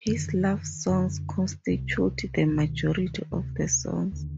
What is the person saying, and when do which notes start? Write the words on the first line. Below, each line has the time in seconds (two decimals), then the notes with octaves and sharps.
His love songs constitute the majority of the songs.
0.08 F#2 D3 D#3
0.89 F#2 D3
1.70 C2 C3
2.50 C#2 B2 D#3
3.31 D2 C3
4.12 D#2 D3